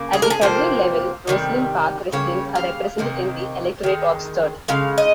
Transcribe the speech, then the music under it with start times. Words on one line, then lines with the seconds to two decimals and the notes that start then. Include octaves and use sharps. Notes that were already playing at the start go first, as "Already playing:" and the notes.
At the Federal level, Rosslyn Park residents are represented in the electorate of Sturt.
Already playing: C#3 A#3
0.13 G#4
0.22 A#4
0.30 G#4
0.41 C3 F3 A#3 C5
1.27 C3 D#3 G3
2.12 C#3 G3 A#3 C#5
2.55 F5
2.98 C3 D#3 A#3
3.83 D#3 G#3
4.68 C#3 G#3 F5
4.98 D#5